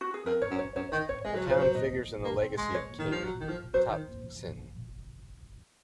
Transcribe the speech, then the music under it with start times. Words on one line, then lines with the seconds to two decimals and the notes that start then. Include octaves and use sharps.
The town figures in the legacy of King Taksin.
0.01 F#4
0.14 G#4
0.25 F2 A#4
0.42 C#5
0.51 F#2
0.59 C#5
0.76 F#2 C#5
0.92 D#3 D#5
1.09 C#5
1.25 G#3 D#5
1.35 F#3 C#5
1.46 F3 C5
1.56 F#3
1.62 C5
1.75 D#5
2.24 A#3
2.41 C4
2.57 G#3
2.74 C#5
2.99 D#3
3.11 F3
3.24 F#3
3.41 D#3
3.49 F3
3.73 F#3 C5
3.89 D#3